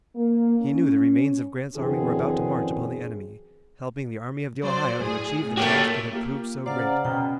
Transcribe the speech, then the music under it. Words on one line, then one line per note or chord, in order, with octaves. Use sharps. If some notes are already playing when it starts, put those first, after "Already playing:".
He knew the remains of Grant's army were about to march upon the enemy, helping the Army of the Ohio to achieve the task that had proved so great.
A#3
C#4
F#2 D3 E3 C4 C#4 G#4
F#3 C5 D5
A2 G#4
A3 A#3 F#4 G4 C#5
A#3 F4 G4
C#3 C5 D5 F5 F#5 A#5 F6
B2 C#4 G5